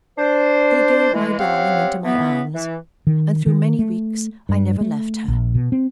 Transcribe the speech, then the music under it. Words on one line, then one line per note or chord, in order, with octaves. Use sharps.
They gave my darling into my arms, and through many weeks I never left her.
D4 C5
E3 G#3
C4 C#4 G4 C#5 F5 F#5
E3 B3
E3
D#3
D#3
A3
G2
A3
A#1
B2
C4